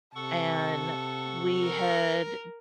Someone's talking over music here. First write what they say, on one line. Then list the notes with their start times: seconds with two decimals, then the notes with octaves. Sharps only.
And we had
0.15 C3 A4 F#5 A5 C#6
1.64 A#4